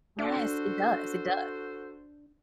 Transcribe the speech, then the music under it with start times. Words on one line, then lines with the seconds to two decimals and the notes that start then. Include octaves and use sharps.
Yes, it does, it does.
0.19 D4 F#4 A4 C5